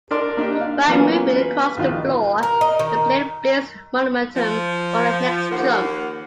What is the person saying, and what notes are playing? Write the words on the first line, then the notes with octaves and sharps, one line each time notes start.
By moving across the floor, the player builds momentum for the next jump.
D4 A#4 D5 C6 D6
A#3 D4 D#4 G4
F5
E3 F#3 A#3 B3 C#4 F4
B4
A#1 D#3 F4 F5
A#4
D#5
D#3
F3
D#2 A#3 F#5